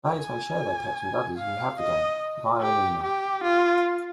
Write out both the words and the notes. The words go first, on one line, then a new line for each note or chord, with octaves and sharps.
Players may share their Petz with others who have the game via an email.
G#5
F5
D#5
G4
G4
F4